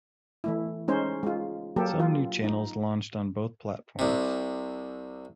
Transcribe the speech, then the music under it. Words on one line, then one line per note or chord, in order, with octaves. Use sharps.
Some new channels launched on both platforms.
E3 A3 E4
G#3 C#4 D#4 C5
G#3 F4
F#3 A#3 G4 A4
F4
D#4
C2 C3